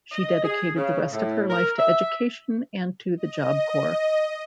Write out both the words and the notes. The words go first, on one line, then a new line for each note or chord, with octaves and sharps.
She dedicated the rest of her life to education and to the Job Corps.
D#5
G#4
C#3
A2
A#4
E5
D#5